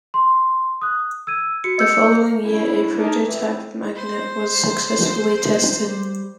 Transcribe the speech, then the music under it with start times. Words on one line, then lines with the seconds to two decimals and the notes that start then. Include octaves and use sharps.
The following year a prototype magnet was successfully tested.
0.14 C6
0.81 D#6 F#6
1.27 E6 G#6 D#7
1.64 F#4 C#7
1.78 D#5 E6 G6 C#7
2.45 A2 C#3 G3 C#4 D4 E4
2.97 D4 D#4 G#4 A#4
3.26 E3 A3 C4
3.95 C5
5.85 G3